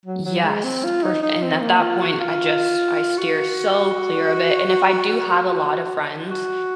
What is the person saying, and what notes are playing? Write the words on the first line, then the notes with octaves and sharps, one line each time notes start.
Yes, fer and at that point, I just I steer so clear of it, and if I do have a lot of friends,
F#3
F#3
G#3
C4
F4
D#4
D#4
C4
A#3
F4
F#4
F4
F#4
F#4